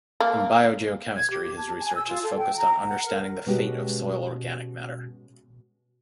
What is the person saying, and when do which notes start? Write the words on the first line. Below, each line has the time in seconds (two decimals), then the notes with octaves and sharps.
In biogeochemistry his research has focused on understanding the fate of soil organic matter.
0.20 A#3
1.16 G#6
1.30 G4
1.57 A5
1.80 G#5
1.96 E6
2.08 F4
2.23 A4
2.37 G5
2.55 A#5
2.87 F#5
3.07 A#4
3.46 B2 G#3 C#4 F#4 G4